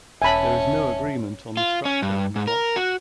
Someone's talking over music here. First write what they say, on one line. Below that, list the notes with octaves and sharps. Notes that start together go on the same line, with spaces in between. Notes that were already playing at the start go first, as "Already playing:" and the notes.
There is no agreement on the structure of Mark.
E1 C#4 E5 G#5 A5 B5
F4
C#4
G2
G#2
A#4
F#4